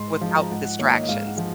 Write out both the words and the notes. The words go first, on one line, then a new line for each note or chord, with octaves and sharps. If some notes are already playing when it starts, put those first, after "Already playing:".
without the distractions.
Already playing: G#2 C6
C6
F3 G#3
A#5
G#2 F#5
F#5
D#3 A#3 C#5
D#5
D#5
G#2 F5
F#5
F3 G#3